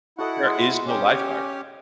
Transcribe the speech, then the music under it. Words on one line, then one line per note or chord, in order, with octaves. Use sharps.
There is no lifeguard.
E4 F#4 A4 D#5 F#5
G#3 C6 D#6
C#4 G4 C#5 F5 G5